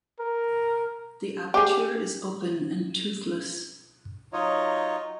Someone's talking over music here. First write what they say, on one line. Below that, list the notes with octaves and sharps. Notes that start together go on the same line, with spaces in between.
The aperture is open and toothless.
A#4
G4 G#4
F#3 D#4 F4 C#5 D#5